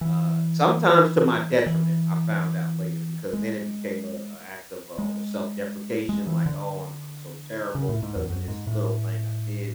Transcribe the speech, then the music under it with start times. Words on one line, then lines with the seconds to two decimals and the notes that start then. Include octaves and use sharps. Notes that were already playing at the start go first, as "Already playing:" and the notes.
uh, sometimes to my detriment, I found out later, because then it became a a act of, uh, almost self-deprecation, like, "Oh, I'm I'm so terrible because of this little thing I did."
0.01 E3
1.66 E3
3.33 G#3
4.98 G#3
6.09 G#3
6.27 E3
6.46 D3
7.75 C#3
7.89 A2
8.03 G#2
8.16 E2
8.30 F#2
8.48 G#2
8.67 A2